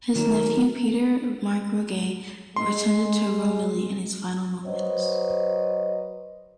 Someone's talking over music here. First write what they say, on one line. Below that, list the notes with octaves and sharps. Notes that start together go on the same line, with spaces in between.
His nephew Peter Mark Roget attended to Romilly in his final moments.
D#3 F#3 A#4
G#3 C6
F#3 B4 C5 D#5